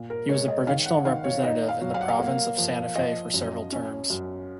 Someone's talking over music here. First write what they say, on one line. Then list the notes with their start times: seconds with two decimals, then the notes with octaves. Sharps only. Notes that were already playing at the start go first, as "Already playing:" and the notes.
He was provincial representative in the province of Santa Fe for several terms.
Already playing: A#2
0.10 A#4
0.29 G#3 C#5
0.48 D#5
0.67 D#3 F5
0.86 F#5
1.05 D#3 F5
1.24 C#5
1.43 D#4 D#5
1.68 F5
1.81 F#3
1.94 F5
2.01 F#5
2.08 F5
2.20 A#3
2.58 F3
2.96 F3 D#5
3.34 F#2
3.72 C#4
4.10 F#2